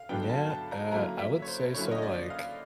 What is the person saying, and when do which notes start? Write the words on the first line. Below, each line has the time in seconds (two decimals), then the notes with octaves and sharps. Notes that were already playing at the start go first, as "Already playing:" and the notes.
Yeah, uh, I would say so, like,
Already playing: F5
0.09 D3 F#3 B3 D4 G5
0.30 A5
0.50 A5
0.71 A#5
0.91 D3 F#3 A#3 C#4 E4 A#5
1.19 E5
1.42 C#5
1.47 C5
1.74 D3 F#3 A#3 C#4 E4 C#5
1.91 D#5
2.03 D5
2.30 F5